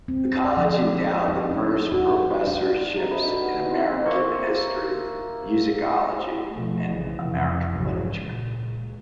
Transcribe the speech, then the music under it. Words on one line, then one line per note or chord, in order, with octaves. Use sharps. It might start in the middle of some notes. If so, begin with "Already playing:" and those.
The College endowed the first professorships in American history, musicology, and American literature.
C4
D5
F3
D#4
C#4
F#4
D4
A#5
F#4 A4 D#5 E5 B5
D4 D#4 F#4 G4 D5
F#4 B4 F#5
D#4 G4 B4
A#3 C4 E4 C5 C6
A#3 C5 E5 C#6
B2 F3 A3
B1 C#3 E3 F3
F2 C3 E3
A#1 G#2 C#3 E3 F#3
C#2 A#2